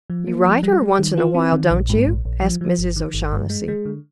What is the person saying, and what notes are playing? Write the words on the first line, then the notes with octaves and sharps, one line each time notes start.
"You write her once in a while, don't you?" asked Mrs. O'Shaughnessy.
F3
A#3
F3
G3
G3
D#3
F4
C4
D#3
A#1
G#2
A#1
A#1
F3
F3
G1
D#3
G1
G2
G#3
G#3
D3